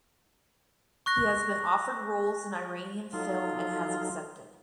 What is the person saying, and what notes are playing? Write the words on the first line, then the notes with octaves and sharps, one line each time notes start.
He has been offered roles in Iranian film and has accepted.
C#6 F#6 A#6
F#3 D#4 F4 A4